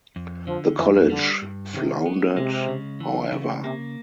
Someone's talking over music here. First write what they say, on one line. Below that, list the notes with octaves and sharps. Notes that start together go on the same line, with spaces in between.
The college floundered, however.
F2
D3 F3
F2 E3
D3 G3
G2
C3 D#3
B3
C3 G#3
C#3
E3
C#3
C3 A#3